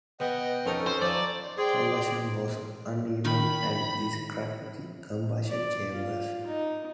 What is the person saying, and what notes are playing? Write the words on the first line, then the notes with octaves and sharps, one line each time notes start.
Combustion was uneven and this cracked the combustion chambers.
B2 D#5 F#5 G5
F2 C#4 D#4 A4 A#4
C5
F3 D5
G#4 C5 D5 G5 C6
D#3 B5
D5
F4
D#4